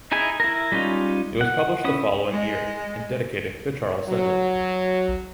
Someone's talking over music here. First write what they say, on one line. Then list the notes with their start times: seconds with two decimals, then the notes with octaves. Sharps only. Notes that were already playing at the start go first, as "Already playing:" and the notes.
It was published the following year and dedicated to Charles Sedley.
0.12 D#4 E4 G#4 G#5
0.40 E4 A#4
0.72 G3 G#3 C#4 D#4 F4
1.41 F#5
1.84 C#4 E4 D#6
2.31 G#3
4.06 F#3